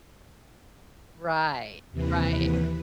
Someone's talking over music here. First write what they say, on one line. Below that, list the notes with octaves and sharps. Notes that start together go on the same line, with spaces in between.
Right, right.
D#2 C3 E3 B4